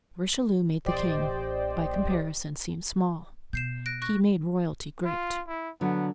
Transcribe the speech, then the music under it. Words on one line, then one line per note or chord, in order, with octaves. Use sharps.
If Richelieu made the king, by comparison, seem small, he made royalty great.
A1 G4 C5 D5 D#5 G5
B2 G6 C7 E7
F#6 A#6 D7
C#6 F#6 A#6
F4
E4
D3 F#3 B3